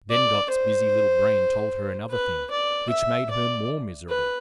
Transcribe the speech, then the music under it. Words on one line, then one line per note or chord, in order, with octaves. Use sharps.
Then Dot's busy little brain told her another thing, which made her more miserable.
D5
C5
B4
D5
E5
D5
B4